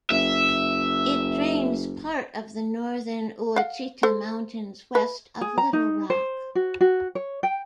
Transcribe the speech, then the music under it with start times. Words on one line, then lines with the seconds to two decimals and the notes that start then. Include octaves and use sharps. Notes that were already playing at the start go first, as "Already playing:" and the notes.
It drains part of the northern Ouachita Mountains west of Little Rock.
0.10 F#1 E5
3.56 F5 F#5
4.03 A4 C5
4.95 B4
5.41 G#4
5.58 A#5
5.73 D#4
6.10 C5
6.55 F#4
6.81 F#4
7.15 C#5
7.43 G5